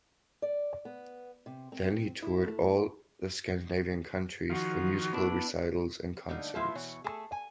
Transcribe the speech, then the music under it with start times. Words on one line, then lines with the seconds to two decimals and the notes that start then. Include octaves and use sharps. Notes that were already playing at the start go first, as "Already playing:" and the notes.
Then he toured all the Scandinavian countries for musical recitals and concerts.
0.42 D5
0.85 B3
1.46 C3
1.72 C4
2.22 E4
2.46 A3
4.50 D#3 F3 F#4 F5 F#5
5.13 B3 D4 E4
6.29 D3 G3 A3 A#3 D#4
6.54 F3 A3 B3 E4 F4 E5
6.75 B2 E3 C#5
7.04 A3 G#4 A4
7.32 G#5